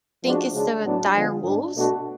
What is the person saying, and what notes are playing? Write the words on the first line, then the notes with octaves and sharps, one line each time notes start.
think it's the dire wolves?
F3 G#3 D4 F#4
C#3 G#3 D4
A2 F#3 B3 D4
D3 F3 B3 F4 G#4
G#2 G#3 D4
B2 A3 D4 F#4 A4